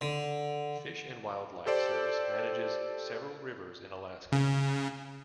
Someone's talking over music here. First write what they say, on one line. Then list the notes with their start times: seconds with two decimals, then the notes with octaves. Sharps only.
Fish and Wildlife Service manages several rivers in Alaska.
0.01 D3
1.66 G4 A4 C5 D5
4.32 C#3